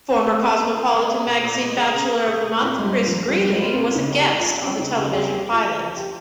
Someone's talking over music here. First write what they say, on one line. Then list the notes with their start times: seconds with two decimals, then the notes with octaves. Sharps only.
Former Cosmopolitan Magazine Bachelor-of-the-Month Chris Greeley was a guest on the television pilot.
0.09 C4
0.26 A#3 G#4
0.43 F4
0.60 A#3 G#4
0.76 F4
0.94 G#3
1.10 G#4
1.27 A#2
1.44 A#2
1.61 G#3
1.77 G#4
1.95 C#4
2.11 A#2
2.28 G#4
2.44 A#2
2.61 A#2 C4
2.78 G#3 F4
2.84 G3
2.95 A#2
3.06 F3
3.12 A#2
3.28 G3 F4
3.45 G3
3.51 G#3
3.62 F4
3.73 C4
3.79 A#2
3.95 C#3 D#4
4.12 C4
4.17 G4
4.29 G#3
4.40 F4
4.46 C4
4.62 C4 C#4
4.79 C#3 D#4
4.96 C#3 G4
5.13 C4 G#4
5.30 A#3 G4
5.46 A#3
5.52 F4
5.63 F3
5.80 F3
5.97 F4 G4